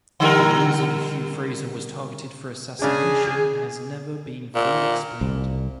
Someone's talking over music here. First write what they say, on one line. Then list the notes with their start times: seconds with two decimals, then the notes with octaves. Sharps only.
The reason Hugh Fraser was targeted for assassination has never been fully explained.
0.20 D3 G3 A#4
2.82 C#3 D4 G#4
4.55 A#2
5.21 C2